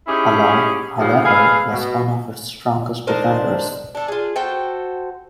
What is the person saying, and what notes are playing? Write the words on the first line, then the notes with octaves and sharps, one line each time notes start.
Allard, however, was one of its strongest defenders.
C#4 D#4 E4 G4 G#4
D#2 A#2 C#3 F3
G#4 A4 B4 F5
B2
D4 D#4 A#4 C5
D4 A4
F4 G#4
F#4 A4 C5 G5